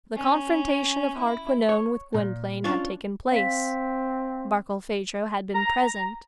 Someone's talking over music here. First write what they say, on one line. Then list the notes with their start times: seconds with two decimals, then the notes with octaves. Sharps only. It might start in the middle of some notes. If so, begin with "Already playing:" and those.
The confrontation of Hardquanonne with Gwynplaine had taken place. Barkilphedro had been present.
0.16 C#4
1.17 E4
1.69 C#5
2.14 A#2
2.64 C#4 D4 F4
3.32 C4 F5 B6
5.55 A#5